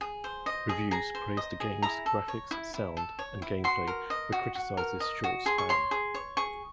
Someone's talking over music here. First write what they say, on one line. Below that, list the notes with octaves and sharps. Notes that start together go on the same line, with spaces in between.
Reviews praised the game's graphics, sound, and gameplay, but criticized its short span.
G#4
C5
D#5
G#4
G#4 A#5
C5
D#5
G#4
E4 A#5
A4
C#5
E4
E4
A4
C#5
E4
F#4 C6
A#4
D#5
F#4
F#4
A#4
D#5
F#4
G#4 C6
C#6
C#5 C6
G#4
C#5
G#4 C#6